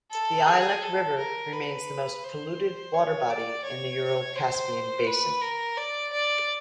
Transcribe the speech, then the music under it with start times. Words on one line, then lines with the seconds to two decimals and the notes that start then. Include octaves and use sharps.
The Ilek River remains the most polluted water body in the Ural-Caspian basin.
0.12 A4
0.46 G#4
0.82 A4
1.18 A#4
1.53 B4
2.24 C5
2.94 C#5
3.30 D5
3.65 C#5
4.36 C5
5.06 B4
5.42 A#4
5.77 D5
6.13 D5